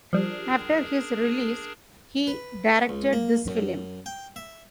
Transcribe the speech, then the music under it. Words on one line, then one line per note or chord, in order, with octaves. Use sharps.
After his release he directed this film.
F3 G3 D4 G#4 A#4
B4
C#2
A#3
F#2
G5
E5